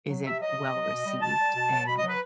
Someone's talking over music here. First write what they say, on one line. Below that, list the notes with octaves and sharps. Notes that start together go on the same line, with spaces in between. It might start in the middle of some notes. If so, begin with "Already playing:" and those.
isn't well-received, and
F#3
C3 E5
F#3 D#5
C3
F#3
B2
G3
B2 A5
G3
B2
F#3
B2 B5
D#5
F#3
B4